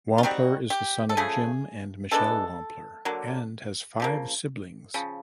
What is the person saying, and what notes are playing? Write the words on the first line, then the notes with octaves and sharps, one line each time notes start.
Wampler is the son of Jim and Michelle Wampler and has five siblings.
F4
G3 C4 D#4 F#4
G4
A4
C#3 F3 A3 G#4
E3 G#3 B3 D4 A4
D3 F#3 A#3
C#3 F3 A#3
C#3 F3